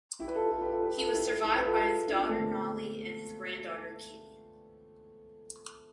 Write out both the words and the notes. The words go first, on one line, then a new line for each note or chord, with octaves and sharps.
He was survived by his daughter Nali and his granddaughter Kitty.
E4 G4
B4
F4 A4
F4 A4
G4 B4
F4 A4
G4 B4
F4 A4
E4 G4
E4 G4
G4 B4
F4 A4
F4 A4
D4 F4
B3 D4
A3 C4
D3